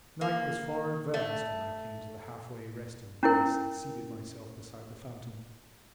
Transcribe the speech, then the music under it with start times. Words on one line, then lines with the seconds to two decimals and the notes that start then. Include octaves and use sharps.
Night was far advanced when I came to the halfway resting-place and seated myself beside the fountain.
0.21 A#3
1.14 A3
3.23 C#4 E4 A#4